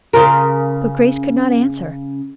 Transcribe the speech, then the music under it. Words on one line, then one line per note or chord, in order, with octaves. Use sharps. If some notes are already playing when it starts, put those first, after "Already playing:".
But Grace could not answer.
C#3 F4 A#4